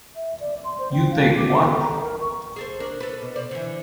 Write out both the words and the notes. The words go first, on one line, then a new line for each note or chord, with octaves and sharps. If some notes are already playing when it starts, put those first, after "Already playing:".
You take what?
E5
D5
C6
C5
G5
F5
D6
A4
A#5
A#4
C#6
G#4 A4 C5
D4 A#4
A4 B4
B2
C5 D5
D3 E3